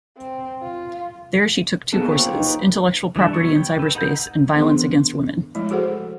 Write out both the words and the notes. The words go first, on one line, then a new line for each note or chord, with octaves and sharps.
There she took two courses - Intellectual Property in Cyberspace and Violence Against Women.
C4
F4
D#3 A#3 B3 G#4 A4
F4 G4 C5 C#5
D#4 B4
E3 G3 D4 A4
F#3 B3 C#6
G5
A4 B4
D#4 F#5 A#5 G6
E3 B3 D4 G#4 A#4 C6
F3 G#3 A3 E4
F#4 G#4 A4 C5 F#5